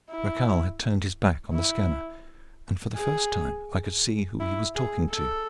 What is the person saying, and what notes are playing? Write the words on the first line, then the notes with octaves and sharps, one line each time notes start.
Rakhal had turned his back on the scanner and for the first time I could see who he was talking to.
E4
E4
G#4
E4
G#4
A4